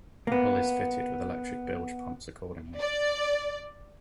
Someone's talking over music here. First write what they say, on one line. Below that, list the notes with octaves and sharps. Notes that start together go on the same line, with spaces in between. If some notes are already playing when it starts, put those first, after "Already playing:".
The hull is fitted with electric bilge pumps accordingly.
A#3 B3
D5